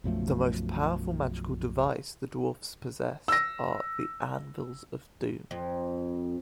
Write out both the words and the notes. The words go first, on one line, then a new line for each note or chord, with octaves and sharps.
The most powerful magical device the Dwarfs possess are the Anvils of Doom.
B1 F#2 F3 A3
E6 A#6
F2